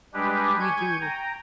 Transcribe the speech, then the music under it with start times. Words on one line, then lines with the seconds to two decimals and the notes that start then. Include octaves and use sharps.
We do.
0.14 G3 G#3 D4 G4 B4
0.60 G#5 C#6 G6 G#6
1.01 G5 A#5